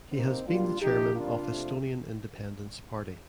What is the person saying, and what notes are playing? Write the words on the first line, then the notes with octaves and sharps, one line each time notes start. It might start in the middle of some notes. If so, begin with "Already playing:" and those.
He has been the Chairman of Estonian Independence Party.
C3 F3 A#3 C4 D#4
A#2 G3 A#3 D4 F4
C3 F3 A3 D#4 G4
C3 G3 A#3 D4 F4
C3 F3 A3